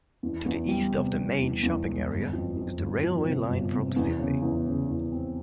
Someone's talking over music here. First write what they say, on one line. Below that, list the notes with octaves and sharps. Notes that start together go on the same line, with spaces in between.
To the east of the main shopping area is the railway line from Sydney.
E2
E2
G3
C3
G3
E2
E2
E1
G1
F2
F2
G1
F3
C3
G1
C3
E2
C#3
E2
C#3
E2
C4